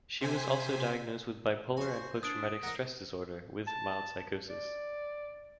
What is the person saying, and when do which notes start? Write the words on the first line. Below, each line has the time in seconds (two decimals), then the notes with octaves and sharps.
She was also Diagnosed with bipolar and post traumatic stress disorder with mild psychosis.
0.21 C3 C5 G#5 B6
1.77 F#4 C5 G#5
2.23 D4 D#6 D7
2.63 A#4 D#5 F#5
3.67 A5
4.50 D5